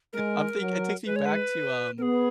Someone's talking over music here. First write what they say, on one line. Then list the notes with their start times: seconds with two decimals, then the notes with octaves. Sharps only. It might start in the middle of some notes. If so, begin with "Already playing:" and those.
I'm think it takes me back to, um
0.13 G#3 A#4
0.59 F#3
1.06 G#3 B4
1.16 C#5
1.25 B4
1.98 B3 G#4 A#4